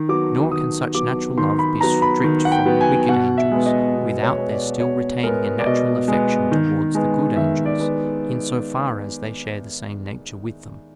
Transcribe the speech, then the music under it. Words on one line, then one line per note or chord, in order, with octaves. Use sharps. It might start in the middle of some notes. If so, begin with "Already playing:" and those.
Nor can such natural love be stripped from the wicked angels, without their still retaining a natural affection towards the good angels, in so far as they share the same nature with them.
Already playing: D#3
F#3 B3 D6
D#3 D#6
F#3 B3 D6
D#3 C6
B5
F#3 B3 A#5
B5
D#3
F#5
G5
F#3 B3
G#5
B2 F#5
E5
G#3 B3
D#5
B2
C#5
G#3 B3
D5
B2 C#5
G#3 B3 A#4
D5
B2 D#5
G#3 B3
D#3
G#3 B3
D#3 E5
D5
G#3 B3